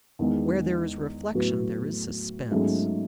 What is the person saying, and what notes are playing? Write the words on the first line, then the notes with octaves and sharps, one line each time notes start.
Where there is reflection there is suspense.
E2 D#3 G#3
A2 F#3 B3 F#4
G#2 F#3 A3 C#4 G#4